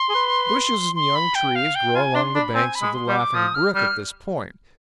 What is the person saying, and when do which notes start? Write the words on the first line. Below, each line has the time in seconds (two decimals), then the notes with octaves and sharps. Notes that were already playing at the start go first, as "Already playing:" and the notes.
Bushes and young trees grow along the banks of the Laughing Brook at this point.
Already playing: C6
0.09 G#4
0.15 B4
0.95 C6
1.15 B5
1.35 G5
1.55 F5
1.75 G5
1.95 F4 G#5
2.15 D4 C6
2.35 D4 B5
2.55 C4 G#5
2.75 B5
2.82 G#3
2.95 C6
3.08 G3
3.15 D6
3.34 F3 D#6
3.55 F6
3.74 G3 F6